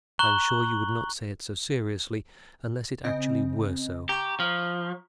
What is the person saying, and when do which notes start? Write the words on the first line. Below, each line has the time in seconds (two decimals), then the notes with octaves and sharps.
I am sure you would not say it so seriously unless it actually were so.
0.19 A#5 C#6 F#6 F#7 G7
3.04 C#3 C4 D#5
4.09 G4 A#5 C#6
4.40 F3